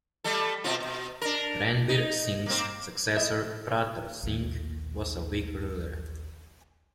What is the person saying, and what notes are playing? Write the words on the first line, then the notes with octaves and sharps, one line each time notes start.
Ranbir Singh's successor Pratap Singh was a weak ruler.
G3 A3 A4
B2 C4 F4
B2
D4 A#4
D#4
A#3 C4
E4 D#5 E5
A#1 D#2 D#3